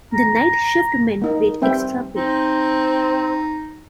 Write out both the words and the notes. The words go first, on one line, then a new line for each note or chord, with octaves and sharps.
The night shift men rate extra pay.
A#5
A#3 D#4
G3 C4 B4 E5 G5
C4 D#4